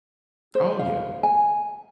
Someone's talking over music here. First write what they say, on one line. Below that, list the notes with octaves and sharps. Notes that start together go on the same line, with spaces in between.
Oh, yeah,
C5
F5
G#5